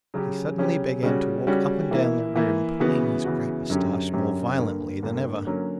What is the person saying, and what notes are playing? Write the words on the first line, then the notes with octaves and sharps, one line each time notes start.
He suddenly began to walk up and down the room, pulling his great mustache more violently than ever.
C#3 F#3 C#4 G4
C#3 F#3 C#4 G4
C#3 G3 C#4 F#4
C#3 G3 C#4 F#4
E3 A#3 E4
E3 A#3 E4
C#3 E3 B3 F#4
C#3 E3 B3 F#4
F#2 D3 F#3 C#4 G4
F#2 D3 F#3 C#4 G4
G2 D3 A#3
G2 D3 A#3
D3 F#3 A#3 C#4